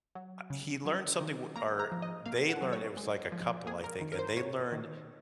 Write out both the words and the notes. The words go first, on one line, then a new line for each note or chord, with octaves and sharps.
uh, he learned something w or they learned it was, like, a couple, I think, and they learned
F#3
C#3
F#3
D#3
A#3 A#5
A#5
F3
D#5
A#3 F5
F#5
F#3
C#5
G#3
F3
A#3 G#4
A#4
D#3
A#4
C5
A#3 C#5
D#3